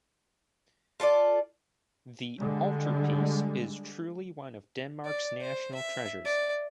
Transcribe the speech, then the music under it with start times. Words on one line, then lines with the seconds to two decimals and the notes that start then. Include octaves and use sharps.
The altarpiece is truly one of Denmark's national treasures.
1.00 F4 A4 C5 D5
2.39 D3 G3 G#3
5.05 D5
5.41 C5
5.74 E5
6.25 D5